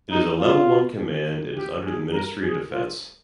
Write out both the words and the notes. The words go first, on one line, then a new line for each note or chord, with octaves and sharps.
It is a Level.I command and is under the Ministry of Defence.
D#4
F4
G4
G#4
A#4
G#4
F4